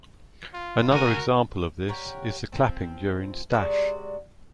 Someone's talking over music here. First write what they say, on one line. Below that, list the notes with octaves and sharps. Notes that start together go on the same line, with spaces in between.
Another example of this is the clapping during Stash.
F4
C#2 F#4 A#4 G#5
G4 A#4 C#5 F#5
F3 C4
C3 G#3 F#4 D5